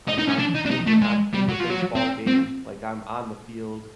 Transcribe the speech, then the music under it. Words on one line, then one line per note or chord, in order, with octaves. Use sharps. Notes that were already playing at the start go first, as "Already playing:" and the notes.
I'm I'm in the I'm in the baseball game, like, I'm on the field,
D#4
D#4
C#4
D4
D#4
D4
D#4
A3
G#3
G3
F#3
F3
F#3
C4
C4